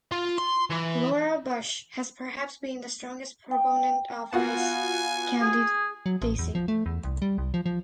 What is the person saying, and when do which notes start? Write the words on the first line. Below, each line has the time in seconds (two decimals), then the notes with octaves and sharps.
Laura Bush has perhaps been the strongest proponent of Rice's candidacy.
0.11 F4
0.38 C6
0.70 E3
3.51 G5
4.33 B3 F4 F#4 G#5
5.42 G#4
6.06 F#3
6.22 A1
6.39 E2
6.55 F3
6.68 A3
6.86 E2
7.04 C2
7.22 G3
7.38 C2
7.54 F3
7.66 F3